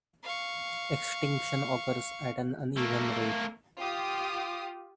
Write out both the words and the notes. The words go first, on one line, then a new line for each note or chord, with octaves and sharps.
Extinction occurs at an uneven rate.
F5 C#6
A3 A#3
F4 G4 D#6